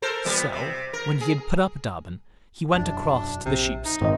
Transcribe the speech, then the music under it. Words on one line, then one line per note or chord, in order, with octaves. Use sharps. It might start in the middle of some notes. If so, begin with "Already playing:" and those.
So when he had put up Dobbin, he went across to the sheep- stall.
A4 A#4 C5
A#2 G3 B3
C3
A#4
G#4
E1 F#2 D4
A#1 C3
D#4
G#1 G2 A#2 D#3 D#5